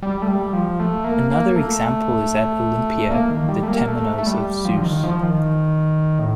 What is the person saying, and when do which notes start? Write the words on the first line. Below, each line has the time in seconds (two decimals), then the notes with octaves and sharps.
Another example is at Olympia, the temenos of Zeus.
0.02 G3
0.22 A3
0.28 G3
0.53 F3
0.80 A3
1.04 A#3
1.31 A#3
1.56 A3
3.11 A#3
3.30 D#3
3.49 G3
3.63 A3
3.68 A#3
3.88 A3
4.18 A3
4.27 G3
4.65 F3
4.77 D3
4.84 D#3
5.04 F3
5.23 D#3
6.19 A2